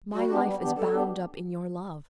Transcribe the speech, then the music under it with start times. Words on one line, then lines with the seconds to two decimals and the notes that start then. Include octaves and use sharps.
My life is bound up in your love.
0.13 G3 F#4
0.30 B3 D4 G4
0.46 G3
0.61 B3 D4 G4
0.77 G3 A4
0.93 B3 D4 G4